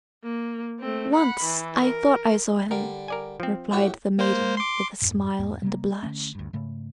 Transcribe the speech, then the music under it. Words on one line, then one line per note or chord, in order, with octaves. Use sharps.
"Once I thought I saw him," replied the maiden, with a smile and a blush.
A#3
A3 C4
F#5 B5
E3
A#4
D3 G3 A#4
A#4 D5 G#5
F3 C4
A2 F#4 G4
A#3 C5
C6 D6
F2 G#2
E2 G#2 A#3
C3 G3 A#3
D3 E3 A3 C#4
D2 G2
G#2 C#3 A3